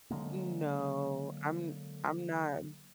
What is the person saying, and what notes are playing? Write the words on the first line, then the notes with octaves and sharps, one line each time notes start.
No, I'm I'm not
D3 F#3 G#3 A#3